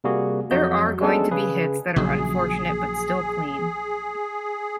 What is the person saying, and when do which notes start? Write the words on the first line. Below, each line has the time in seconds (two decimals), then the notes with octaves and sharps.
There are going to be hits that are unfortunate but still clean.
0.04 C3 G3 A#3 F#4 G#4
0.51 F2 F#3 F#4 D#5 G6
1.01 G#3 B3 C#4 D4 G#4 A4
1.31 C#3 G#4 B4
1.96 A#1 C#3 F#3 G#4